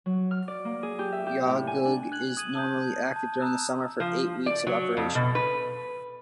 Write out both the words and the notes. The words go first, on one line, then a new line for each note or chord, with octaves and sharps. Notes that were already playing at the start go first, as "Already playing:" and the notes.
Yawgoog is normally active during the summer for eight weeks of operation.
F#3
F6
D5
A#3
G#4
G4
E5
G4
A2
G#5
D4
F#6 G#6 F#7
D#6 G#6 D#7 F#7
A5 D#6 G6
A5
A#5 D#6 E6 F#6
F3
D5
F#3
F2
B2
B4